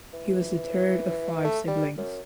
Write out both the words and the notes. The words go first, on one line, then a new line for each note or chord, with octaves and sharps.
He was the third of five siblings.
E3
A3
G3
F#2